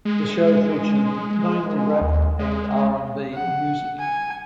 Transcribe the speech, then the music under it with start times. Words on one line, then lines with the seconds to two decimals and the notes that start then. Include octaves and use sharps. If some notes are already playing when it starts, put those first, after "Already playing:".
The show featured mainly rap and R and B Music.
0.05 G#3
2.01 D#2
2.39 G#3
3.35 F#5
4.00 G#5